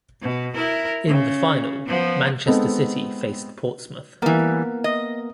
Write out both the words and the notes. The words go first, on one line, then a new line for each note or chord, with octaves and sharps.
In the final, Manchester City faced Portsmouth.
B2
E4 A#4
C#3
F3 B3
G#3 B3 C4 D#4 A4
E3 G3 A#3 B3 A#4
D#5